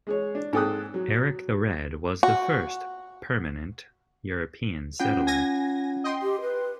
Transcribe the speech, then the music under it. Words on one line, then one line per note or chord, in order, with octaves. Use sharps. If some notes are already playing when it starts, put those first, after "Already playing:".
Erik the Red was the first "permanent" European settler.
G#3 G#4 C#5
D4
G#2 C4 A4 G5 D#6 F#6
F#3
F#4
C#4 F4 F#5 G5
G#5 G#6 A#6
D#5 G5 C6
G4
B4